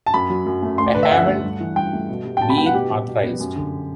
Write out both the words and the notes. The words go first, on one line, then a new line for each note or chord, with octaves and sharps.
I haven’t been authorized.
A5
F#2 B5
F#3
F#2
A3
D2 C6
D5
D3 B4
E5
D2 F#5
A3
G2
E3
G2 G5
A3
B2
G3
G5
B2 A5
B5
B3 G5
F#5
B2 G4
G3
B2
B3
F#2
D3